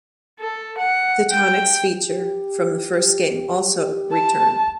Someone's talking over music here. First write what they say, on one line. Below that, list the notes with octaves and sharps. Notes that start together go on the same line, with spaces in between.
The "Tonics" feature from the first game also return.
A4
F#5
G5
G4
A5